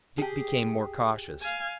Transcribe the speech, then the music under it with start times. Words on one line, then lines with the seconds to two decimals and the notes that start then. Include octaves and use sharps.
Dick became more cautious.
0.18 G4 G#4
1.41 F5 G#5